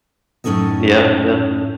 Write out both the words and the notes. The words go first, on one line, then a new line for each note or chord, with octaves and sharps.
Yeah, yeah.
F#2 A2 C#4 D#4 A4 D#5